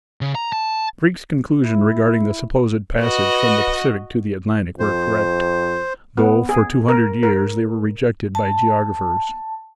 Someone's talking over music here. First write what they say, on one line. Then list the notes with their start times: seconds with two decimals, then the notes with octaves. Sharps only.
Drake's conclusions regarding the supposed passage from the Pacific to the Atlantic were correct, though for two hundred years they were rejected by geographers.
0.21 C#3
0.35 A#5
0.53 A5
1.63 E4
3.01 F#4 B4 D#5
4.79 F2 C5
6.17 B3
6.49 G#4
6.88 A#4
7.23 A#4
8.35 A5